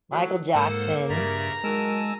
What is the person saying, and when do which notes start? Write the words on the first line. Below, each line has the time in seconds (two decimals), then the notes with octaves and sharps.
Michael Jackson,
0.11 A2 F#3
0.55 G#2 A#3 A4 C5 F#5
1.10 G2 C#3 D5 E5 A#5
1.64 D#3 F#3 G#3 A#4 G#5 A5 E6